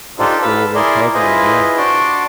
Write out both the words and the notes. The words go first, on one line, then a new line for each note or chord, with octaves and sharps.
A full recovery, yeah.
D4 D#4 F4 G4 A4 C5
A4 B4 F5 E6
E4 G#4 A#4 D5 C6
E4 F4 G#4 B4 C5 D#5
D4 F#4 A5 C6 D6